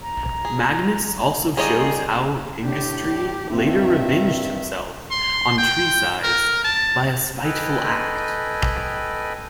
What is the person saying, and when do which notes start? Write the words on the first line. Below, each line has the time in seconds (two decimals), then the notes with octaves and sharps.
Magnus also shows how Ingestree later revenged himself on Tresize by a spiteful act.
0.01 A#5
0.45 G#4
1.57 G3 C4 F4 G#4 C#5 D#5 A#5
2.65 A2 D4 G4
3.53 G2 D#3 C4 E5
5.11 C6
5.58 G5
6.23 A#4
6.64 A5
7.44 A4 B4 D#5 G5 G#5 B5